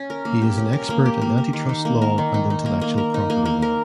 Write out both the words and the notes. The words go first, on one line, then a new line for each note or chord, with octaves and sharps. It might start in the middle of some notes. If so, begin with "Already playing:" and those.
He is an expert in antitrust law and intellectual property law.
Already playing: C#4
A#4
A#3
G4
C#4
A#4
A#3
G4
A#3
A#4
D#3
D#4
A#3
A#4
D#3
D#4
D#4
A#3
A#3
A#4
D#4
A#3
A#3
A#4